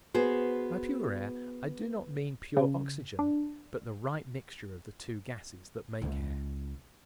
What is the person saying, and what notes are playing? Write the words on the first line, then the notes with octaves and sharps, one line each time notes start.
By pure air I do not mean pure oxygen, but the right mixture of the two gases that make air.
B3 F#4 G#4 C5
C#3
D4
C#2